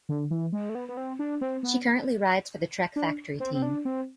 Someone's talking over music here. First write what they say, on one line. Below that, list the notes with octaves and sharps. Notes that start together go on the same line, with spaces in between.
She currently rides for the Trek Factory Team.
D3
E3
G#3
A3
B3
B3
C4
D4
C4
B3
D4
C4
C4
D4
C4